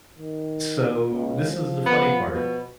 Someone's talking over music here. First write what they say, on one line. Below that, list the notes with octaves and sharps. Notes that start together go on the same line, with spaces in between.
So, this is the funny part:
D#3
C#2
F3
B3
B2